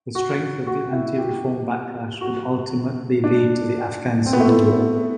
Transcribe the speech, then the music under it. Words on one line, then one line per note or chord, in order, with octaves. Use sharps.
The strength of the anti-reform backlash would ultimately lead to the Afghan civil war.
F#4
F#4
E4
G4
F#4
D4
C4
B3
A3
B3